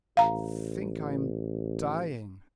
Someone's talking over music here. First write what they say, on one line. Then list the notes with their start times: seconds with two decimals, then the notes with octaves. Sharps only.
"I think I'm dying."
0.17 A1 F5 A#5